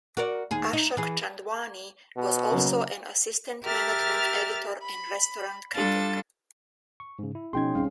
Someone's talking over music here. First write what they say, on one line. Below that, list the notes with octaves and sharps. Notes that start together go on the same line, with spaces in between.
Ashok Chandwani was also an assistant management editor and restaurant critic.
F#4 A#4 D5
D#2 G#4
D#4
E3 G#4
B2
C#3 F#3 A#3
G4 A#4 E5 F6 A6
B5
G3 D4 F4 A4 A6
C#6
G#2 C#3
E4
B2 F3 C#4 D#4 G#4 G5 C6 G#6
B1 G3 C4 C#4 G#4 F5